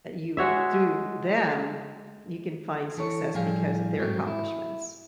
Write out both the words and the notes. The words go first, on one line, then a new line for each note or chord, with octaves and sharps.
that you through them you can find success because of their accomplishments.
G#3 F#4 C#5 E5
E3 A4 C#5
A2 F3 G3 G#4 F5
G#2 F#3 C4
E4